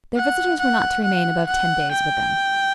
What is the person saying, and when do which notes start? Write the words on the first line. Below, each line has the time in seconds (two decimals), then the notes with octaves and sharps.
Their visitors were not to remain above ten days with them.
0.17 F#5
0.60 F#5
1.04 F#5
1.47 F#5
1.91 G5